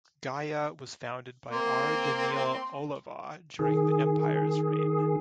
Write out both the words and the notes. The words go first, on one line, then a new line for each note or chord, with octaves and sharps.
Gaia was founded by R. Daneel Olivaw during the Empire's reign.
A#3 C4 C6
D#3 G#4